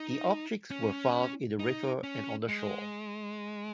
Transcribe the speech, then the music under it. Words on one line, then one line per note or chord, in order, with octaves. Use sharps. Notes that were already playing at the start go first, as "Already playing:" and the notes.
The objects were found in the river and on the shore.
Already playing: D#4
C#4
D#4
C#4
G#3